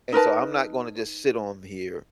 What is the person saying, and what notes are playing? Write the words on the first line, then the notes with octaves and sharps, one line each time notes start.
and so, I'm not gonna just sit on here,
D#4 A#4 B4 A5